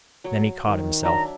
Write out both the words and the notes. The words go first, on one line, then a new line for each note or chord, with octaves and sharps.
Then he caught himself.
F#3 C#5
D#3
F#3 D4 E5 A#5